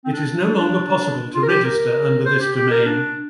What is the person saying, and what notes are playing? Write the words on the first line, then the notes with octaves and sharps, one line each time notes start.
It is no longer possible to register under this domain.
C4
D4
D4
D4
F4
A#4
G4
A#4
C5
G4
G4
A#4
D4